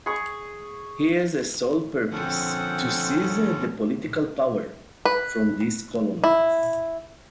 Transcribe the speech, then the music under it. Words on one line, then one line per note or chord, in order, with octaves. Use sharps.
He has a sole purpose: to seize the political power from these "colonels".
G#4 C#6
D3 F3 C4 C#4 A4 F#5
B4
E4